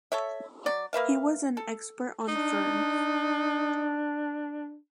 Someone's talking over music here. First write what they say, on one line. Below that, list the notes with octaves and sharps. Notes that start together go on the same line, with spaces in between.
He was an expert on ferns.
A4 C#5 E5
F#3 D5
A#3 B4 E5 F5
A4
D4 D#4